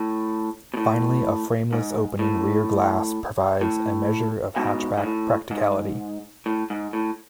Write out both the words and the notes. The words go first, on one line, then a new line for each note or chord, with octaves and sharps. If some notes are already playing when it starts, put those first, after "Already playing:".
Finally, a frameless opening rear glass provides a measure of hatchback practicality.
Already playing: A2
B2
A2
G#2
A2
A2
G#2 B2
G#2
A2
G#2
A2
G#2
A2